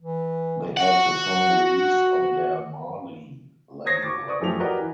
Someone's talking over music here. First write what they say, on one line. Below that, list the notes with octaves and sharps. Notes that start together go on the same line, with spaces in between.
They had the song released on their Marlee Label.
E3
F#4 F#5
C5 C#5 D#6 G#6 A#6 C7
C#6 D6 A6
B4 D5 C#6 D#6
F#2 E3 F3 A3 G4 F7
F#4 G4 A#4 B4 D5 D#5
E3